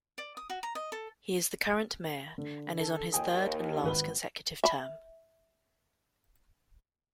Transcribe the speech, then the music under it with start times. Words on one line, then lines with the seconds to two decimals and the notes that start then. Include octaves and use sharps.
He is the current mayor and is on his third and last consecutive term.
0.18 D5
0.37 D#6
0.50 F#4
0.63 A#5
0.75 D#5
0.92 A4
2.38 D3
2.81 A4
3.13 D#2 G5 G#5 D#6
3.83 G#1 B4 G7
4.64 E5 B5